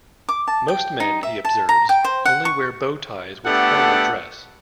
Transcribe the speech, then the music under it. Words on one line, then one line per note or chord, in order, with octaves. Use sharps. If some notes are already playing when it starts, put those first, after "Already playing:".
Most men, he observes, only wear bow ties with formal dress.
D6
A5
G5
D#4
E5
A5
A#5
G5
C5
F#5
C#6
A3 B3 D4 G4 A4 F#5